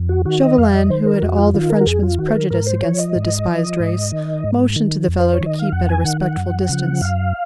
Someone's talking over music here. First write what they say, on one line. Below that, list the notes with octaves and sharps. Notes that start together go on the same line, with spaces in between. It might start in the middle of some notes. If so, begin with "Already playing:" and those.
Chauvelin, who had all the Frenchman's prejudice against the despised race, motioned to the fellow to keep at a respectful distance.
Already playing: F2
F#4
D#3 F#4
D#5
F2 F5
D#5
D#3 C5
A#4
F2 F#4
F4
D#3 F4
A#4
F#4
F2 G#4
F4
D#3 F#4
C5
A#4
G#2 A#4
C5
F3 C#5
D#5
G#2
F3
G#2
D#3
G#2
D#3
F2
C5
C#5
D#3
D#5
F5
F2 F#5
G#5
D#3 F#5
F#5
F#2
C#3 F3
F#2 F5